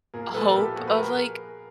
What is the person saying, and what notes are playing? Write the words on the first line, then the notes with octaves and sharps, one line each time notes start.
hope of, like
A#2 G#4 A#4
F3 A4 B4
A#4
A#2 G4 A4
F3 F#4 G#4
B4
G#4 A#4